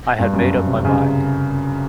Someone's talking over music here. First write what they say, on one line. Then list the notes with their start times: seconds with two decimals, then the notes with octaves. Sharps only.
I had made up my mind.
0.19 G2
0.33 F#2
0.66 C3
0.85 C#3